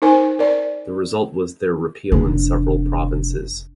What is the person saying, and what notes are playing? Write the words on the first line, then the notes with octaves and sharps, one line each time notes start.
The result was their repeal in several provinces.
D#4 A#4 C5 G#5
A#4 D5
F1 D4